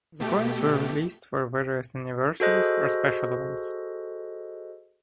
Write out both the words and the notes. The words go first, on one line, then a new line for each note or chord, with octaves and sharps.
The coins were released for various anniversaries or special events.
B2 A3 G4
F#4 G#4 A4 C5 D#5 F#6